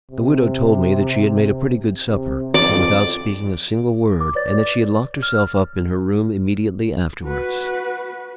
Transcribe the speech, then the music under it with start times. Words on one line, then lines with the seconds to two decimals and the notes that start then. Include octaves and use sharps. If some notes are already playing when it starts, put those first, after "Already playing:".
The widow told me that she had made a pretty good supper, but without speaking a single word, and that she had locked herself up in her room immediately afterwards.
0.11 C3
2.09 C3
2.54 F2 D5
4.21 D6
4.35 B4 C#5 D5 A6
5.23 F6
7.24 F#4 B4